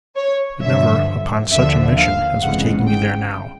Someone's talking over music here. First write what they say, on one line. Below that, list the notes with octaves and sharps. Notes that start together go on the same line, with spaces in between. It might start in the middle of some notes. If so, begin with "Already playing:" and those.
But never upon such a mission as was taking me there now.
C#5
G2 D3 F3 E5
D#2 D3 F3 E5
F5
G1 F2 C#3 E3 G#3 F#5
G5